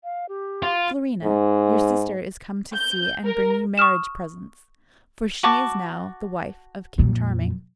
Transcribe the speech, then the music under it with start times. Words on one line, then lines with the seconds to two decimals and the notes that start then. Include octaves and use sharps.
"Florina, your sister is come to see and bring you marriage presents, for she is now the wife of King Charming."
0.04 F5
0.29 G4
0.63 F4
1.24 G#2
2.74 G6
3.25 A#4
3.78 C#6 D#6 F6 E7
5.43 F#4 A5 D6
6.98 F2 A#2